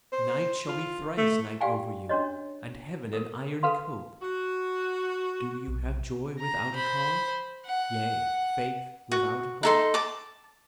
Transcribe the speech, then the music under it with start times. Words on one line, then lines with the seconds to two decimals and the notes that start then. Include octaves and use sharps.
"Night shall be thrice night over you, And heaven an iron cope. Do you have joy without a cause, Yea, faith without a hope?"
0.13 C5
0.68 F4
1.17 A3
1.61 F#4 G4 D5 F5 G5 G#5
2.09 C#4 D4 F#4 C#5 D#5
3.13 A4 A#4
3.63 A4 B4 F5 C6
4.22 F#4
5.67 B1
6.39 A#5
6.74 C5 B5
7.66 F#5
9.11 F#4
9.63 D#4 A4 C6
9.94 A5 D6